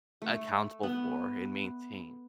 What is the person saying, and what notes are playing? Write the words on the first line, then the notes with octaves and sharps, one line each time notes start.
accountable for and maintain.
A3
B3